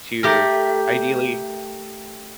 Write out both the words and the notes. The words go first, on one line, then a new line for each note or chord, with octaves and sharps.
to ideally
A3 G4 A#4